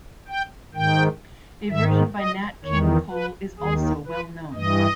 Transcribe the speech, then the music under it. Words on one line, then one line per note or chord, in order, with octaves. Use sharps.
A version by Nat King Cole is also well known.
G5
G#2 D#3 G5
G#2 D#3 E5
D#5
E2 D#3 C#5
B4
D#2 D#3 G#4
B4
G2 E3 D#5